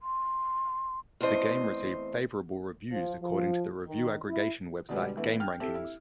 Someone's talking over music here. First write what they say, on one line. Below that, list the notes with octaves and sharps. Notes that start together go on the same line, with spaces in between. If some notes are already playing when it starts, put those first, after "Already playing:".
The game received "favorable" reviews according to the review aggregation website GameRankings.
C6
E2 A3 C4 C5 D#5
F3
F3
D#3
E4
B2 D3 G3 G#3 B3
E3 A3 B3
G5 F6
C4 E4 G4 A4
E4